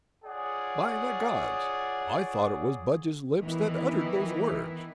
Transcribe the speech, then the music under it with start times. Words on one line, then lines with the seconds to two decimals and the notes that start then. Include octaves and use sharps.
"By the gods, I thought it was Budge's lips that uttered those words."
0.24 F4 G#4 C#5 D5 F#5
3.41 D#3 E3 B3 E4